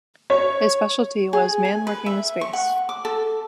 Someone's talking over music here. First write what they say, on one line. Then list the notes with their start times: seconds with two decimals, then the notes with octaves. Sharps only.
His specialty was "man working in space".
0.30 C#5
1.33 G#4
1.65 G#5
1.87 B4
2.06 E5
2.41 C#6
2.53 F#5
2.89 D6
3.05 A4